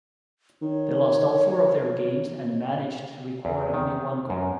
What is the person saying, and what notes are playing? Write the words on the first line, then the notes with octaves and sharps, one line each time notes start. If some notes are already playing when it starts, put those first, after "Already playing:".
They lost all four of their games and managed to record only one goal.
D#3 C#5
E2
D#3
F#2